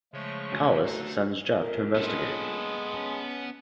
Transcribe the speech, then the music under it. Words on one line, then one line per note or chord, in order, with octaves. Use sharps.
Collis sends Jeff to investigate.
C#3 F3 G#3 A3 C#5 C#6
D2 G#5
D4 D#4 F#4 A4
F2 A#4
G#3 A#3 B3 C#4 D4 A4
C#4 A5